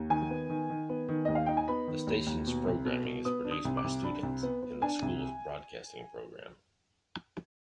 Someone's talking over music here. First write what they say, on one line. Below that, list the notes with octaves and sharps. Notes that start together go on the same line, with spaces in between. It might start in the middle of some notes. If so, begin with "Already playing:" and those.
The station's programming is produced by students in the school's Broadcasting program.
Already playing: D#2
D#3 G#5
B3
D#3
D#3
B3
D#3
D#2 D#5
F5
D#4 G5
G#5
B3 B5
D#3
D#2
D#2
B2
C2
B2
B2
B3 D#6
D4
D#6
C2
D6
C2
D4 B5
C2
B3
B3
D4 G#5
C2